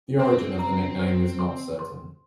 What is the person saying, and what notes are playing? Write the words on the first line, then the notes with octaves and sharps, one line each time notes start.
The origin of the nickname is not certain.
C4 C5
A#5
C5
C6
C6